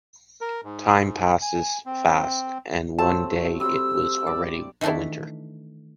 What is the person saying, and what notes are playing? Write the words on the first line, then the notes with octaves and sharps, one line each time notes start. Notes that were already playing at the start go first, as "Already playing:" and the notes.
Time passes fast, and one day it was already a winter.
A#4
G#2
G#5
C4
F#3 A3 C4 A5
G3 C4 E6
D5
D#3 E3 A3 D4 E4